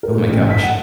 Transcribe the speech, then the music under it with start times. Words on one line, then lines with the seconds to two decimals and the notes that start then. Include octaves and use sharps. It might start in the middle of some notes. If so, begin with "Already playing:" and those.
Oh my gosh.
0.03 A#4
0.16 A#3
0.29 A1
0.51 B6
0.63 F#5